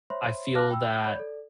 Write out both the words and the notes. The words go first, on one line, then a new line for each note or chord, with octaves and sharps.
I feel that
C5 C#5 E5 B5 C6
F5 A5 D6 F6 F#6 A#6
G5 B5 E6
C#5 B5 G6
A4 D5